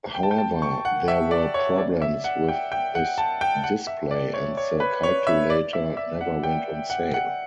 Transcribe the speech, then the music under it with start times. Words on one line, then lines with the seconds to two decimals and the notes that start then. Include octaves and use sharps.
However, there were problems with this display and the calculator never went on sale.
0.15 G5
0.23 A5
0.31 G5
0.38 A5
0.62 C#6
0.85 F#5
1.08 E5
1.31 D5
1.54 C#5
1.78 D5
2.02 E5
2.24 F#5
2.49 G5
2.72 G5
2.95 F#5
3.18 A5
3.41 G5
3.64 F#5
3.87 E5
4.11 D5
4.34 C#5
4.57 C#5
4.80 B4
5.03 C#5
5.27 E5
5.50 D5
5.73 E5
5.97 E5
6.21 F#5
6.43 G5
6.90 F#5
7.14 F#5